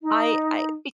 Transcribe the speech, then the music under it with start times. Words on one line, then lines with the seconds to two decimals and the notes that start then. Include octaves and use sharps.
I I be
0.01 D#4